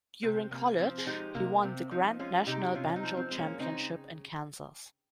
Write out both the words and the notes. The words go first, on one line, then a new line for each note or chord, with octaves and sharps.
During college, he won the Grand National Banjo Championship in Kansas.
C3 C4
C3 A#3
F3 C4
G#4
G#3 D#4 G4
C3 A#3
C3 C4
F3 C4 D#4
G#3 C#4 F4
C3 D#4 G4
C3 C#4 F4
C#4
C4 D#4
F3
C4
G#3
A#3 C#4
C#3 C4 D#4